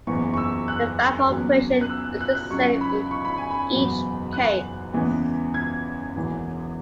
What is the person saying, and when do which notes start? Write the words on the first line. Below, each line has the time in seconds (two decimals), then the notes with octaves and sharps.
The valve operation is the same in each case.
0.07 F#1 E2 E3 B3 C#6
0.34 C#6
0.37 E6
0.68 F#6
1.29 E2 C#3 F#3 B3
1.81 F#6
1.90 E6
2.04 F#6
2.21 F#6
2.35 F#6
2.50 C#2 C#3 F#3 C#6
2.81 B5
3.11 C#6
3.25 B5
3.38 G#5
3.51 B5
3.72 F#1 E2 B2 F#3 B3
4.33 F#6
4.93 E2 C#3 E3 G#3 B3
5.54 G#6
6.15 E1 E2 C#3 E3